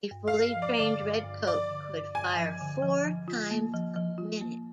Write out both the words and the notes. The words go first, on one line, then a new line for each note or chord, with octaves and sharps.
A fully trained redcoat could fire four times a minute.
G2
F5
G2
F3
D5
D3 D5
G2
G2
F3 D5
D3
G2
G2 G#5
F3
D3
F3
F3
F4
A#3
F3
F3
F4
A#3